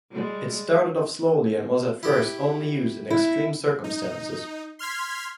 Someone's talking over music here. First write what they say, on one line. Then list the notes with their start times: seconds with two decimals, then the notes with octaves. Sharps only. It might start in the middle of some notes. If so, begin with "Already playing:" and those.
It started off slowly and was at first only used in extreme circumstances.
0.11 G3 G#3
2.03 E4 G4
3.10 E4
3.84 D#4
4.79 C6 F6 G#6 B6